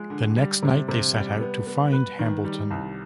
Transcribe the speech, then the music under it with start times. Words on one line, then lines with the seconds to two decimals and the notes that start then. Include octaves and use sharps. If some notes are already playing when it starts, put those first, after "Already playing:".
The next night they set out to find Hambleton.
Already playing: F3 G#3
0.10 D3
0.36 G3
0.62 C3
0.88 C3
1.15 G3
1.41 B3
1.67 B3
1.92 B4
2.19 D#3
2.45 G3
2.70 C2